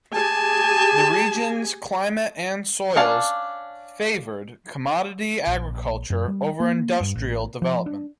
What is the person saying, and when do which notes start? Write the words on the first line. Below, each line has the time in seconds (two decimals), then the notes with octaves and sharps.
The region's climate and soils favored commodity agriculture over industrial development.
0.13 G4 G#4 G#5 A5
2.96 C#4 D4 F5 A5
5.47 A#1
6.10 F#2
6.28 G3
6.60 A#3
7.01 G2
7.16 A1
7.62 F3
7.86 D4